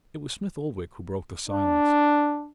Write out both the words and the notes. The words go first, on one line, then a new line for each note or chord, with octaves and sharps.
It was Smith-Oldwick who broke the silence.
D4